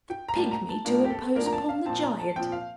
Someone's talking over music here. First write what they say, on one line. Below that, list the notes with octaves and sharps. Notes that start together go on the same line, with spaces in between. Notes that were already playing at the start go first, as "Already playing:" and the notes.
The pigmy to impose upon the giant.
G5
A#5
A2 G3 A#3 A5
A#5
A5
A2 F3 A#3 D4 A#4
G4
A4
A2 F3 A#3 D4 A#4
A#5
A5
F5
A#2 F3 C4 A5
A#5
A5
A#2 F3 C4 G5
F5